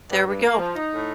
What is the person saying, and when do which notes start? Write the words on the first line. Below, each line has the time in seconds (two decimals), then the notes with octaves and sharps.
There we go.
0.10 G2
0.27 G2
0.43 A#3
0.58 F3
0.75 D#4
0.92 A2